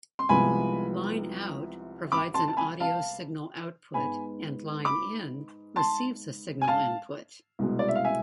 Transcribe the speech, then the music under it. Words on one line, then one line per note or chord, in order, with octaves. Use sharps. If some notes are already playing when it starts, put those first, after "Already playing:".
"Line out" provides an audio signal output and "line in" receives a signal input.
C6
C2 C3 F3 G#3 B3 G#5 B5
B5 D6
A5 C6
A5
G#5 B5
F5 A5
G#2 G#3 B3 G#5 B5
B5 D6
A5 C6
G#5
F5 A5
C2 B2 G#3
D5
E5
F5
E5 G#5